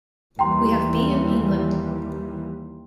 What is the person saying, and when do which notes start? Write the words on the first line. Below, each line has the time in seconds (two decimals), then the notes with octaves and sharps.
We have beaten England!
0.39 D#2 E3 G3 G5 A#5 C6